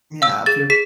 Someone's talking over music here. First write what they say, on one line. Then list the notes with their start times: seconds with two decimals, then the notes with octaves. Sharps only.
Yeah, if you're
0.22 F5 E6
0.46 G#4 A6
0.70 G#4 B6